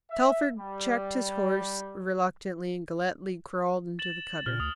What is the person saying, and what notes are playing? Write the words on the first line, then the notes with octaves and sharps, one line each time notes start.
Telford checked his horse reluctantly and Galletly crawled into the cutter.
E5
G3
A6 E7 F#7
A#2 F6
D2 D#6